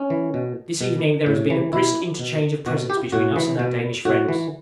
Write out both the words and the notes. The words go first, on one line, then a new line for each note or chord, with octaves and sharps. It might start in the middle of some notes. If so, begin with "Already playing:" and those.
This evening there has been a brisk interchange of presents between us and our Danish friends.
Already playing: C#4
E3
B2
B2
A2
E3
B2 E4
B2
B2 F#4
G4
A2 F#4
E3
B2
A2 F#4
E3